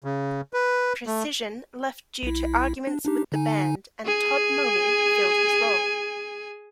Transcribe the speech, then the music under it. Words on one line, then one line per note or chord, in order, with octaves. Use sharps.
Precision left due to arguments with the band, and Todd Mohney filled his role.
C#3
B4
A3
B1 E4
D4
D4 D#4 G4
D3 D#4 G#5
G#4 G#5